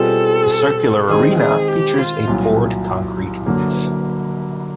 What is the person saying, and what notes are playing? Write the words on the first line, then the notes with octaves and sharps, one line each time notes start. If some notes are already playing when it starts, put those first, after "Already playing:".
The circular arena features a poured concrete roof.
Already playing: B2 G3 C4 F4 G#4 A4
D#3 G#3 C4 G#4
G#4
G4
F4
C2 A#2 F#3
D3 F#3 A#3